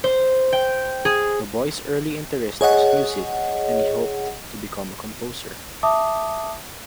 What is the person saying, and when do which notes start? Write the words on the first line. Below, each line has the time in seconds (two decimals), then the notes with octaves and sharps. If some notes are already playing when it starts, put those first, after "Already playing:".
The boy's early interest was music and he hoped to become a composer.
0.04 C5
0.53 G5
1.05 G#4
2.61 G#4 C#5 D#5 F#5
5.83 E5 A5 D6 D#6